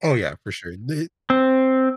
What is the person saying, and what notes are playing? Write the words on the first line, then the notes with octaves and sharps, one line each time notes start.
Oh, yeah, for sure. The
C4